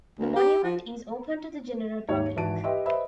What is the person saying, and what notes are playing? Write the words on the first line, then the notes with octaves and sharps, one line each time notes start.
The monument is open to the general public.
D2
G4
F3
D#2 G#2 C#5 E5
G#1 E3 F#4 A5 D7
G4 B4 D#5 E5 C6
B4 C5 D#5 E5 B5